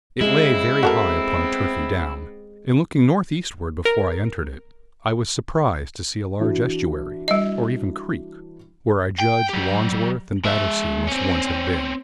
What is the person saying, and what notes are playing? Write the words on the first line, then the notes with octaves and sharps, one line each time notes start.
It lay very high upon a turfy down, and looking north-eastward before I entered it, I was surprised to see a large estuary, or even creek, where I judged Wandsworth and Battersea must once have been.
C#3 G#3 C4 E4
B3 C4 F#4 A4 A#4
A#4
E3 D4 F#4
G3 D#5
G5
F#3 G4
G#3 E5
C4 C#4